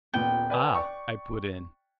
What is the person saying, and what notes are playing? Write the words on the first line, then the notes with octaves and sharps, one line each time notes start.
"Ah!" I put in.
D#1 A#2 B3 G5
B4 D5 G#5
D5 C#6